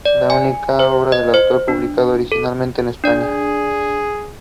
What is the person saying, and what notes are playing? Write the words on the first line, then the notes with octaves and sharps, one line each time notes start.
Both versions displace and carry of lead ballast.
D5
G#5
C5
D#5
C5
D4
A4
D4 G#4 D5